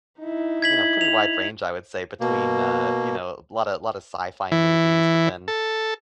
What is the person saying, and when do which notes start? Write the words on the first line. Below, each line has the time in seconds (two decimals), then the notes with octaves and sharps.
you know, pretty wide range, I would say, between, uh, you know, a lotta lotta of sci fi movies, but then
0.20 D#4 E4
0.62 G#6 B6 F#7
1.01 F7
2.21 B2 A#3
4.52 E3
5.48 A4